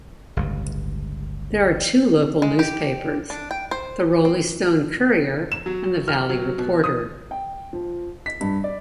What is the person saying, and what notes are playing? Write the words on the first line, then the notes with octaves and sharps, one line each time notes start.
There are two local newspapers: the Roleystone Courier and the Valley Reporter.
G1 C#2 A2
G#3
G4
D4
G5
C5
C4
E7
F#3
F6
F#3
B2
D#6
G5
F3
B6
G2
D5